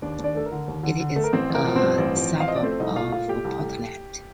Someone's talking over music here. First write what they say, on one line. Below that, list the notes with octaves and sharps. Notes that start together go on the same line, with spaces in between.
It is a suburb of Portland.
D#2 D4 D5
D#2
D4 D5
A3 A4
A#4
D3
D#2
D3
D3
A3 A4
A#4
A1 C4 C5
A1 A#4
F3
C4 C5
G2
A1
F3
A1
F5
F3 D#5
D5
A3 C4 C5
C2 D#4 D#5
A3 F4 F5
A#2 F4 F5
A3 G4 G5
C2
A3